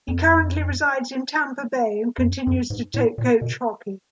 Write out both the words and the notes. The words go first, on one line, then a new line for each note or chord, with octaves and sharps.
He currently resides in Tampa Bay and continues to coach hockey.
F2
F2
F#2
F#2
G#2
A2
A#2
B2